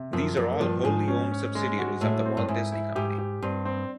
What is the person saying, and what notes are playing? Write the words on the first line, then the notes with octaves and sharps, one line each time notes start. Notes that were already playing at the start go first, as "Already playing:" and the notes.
These are all wholly owned subsidiaries of The Walt Disney Company.
Already playing: C3
F#2 F3
F#2 A#3
G2 F3
G#2 F3
C#4
C#4
G#3
F#4
A2 A3
C4
G2
G#2 E4
E4
G#2 G4
G4
G2 C4
C4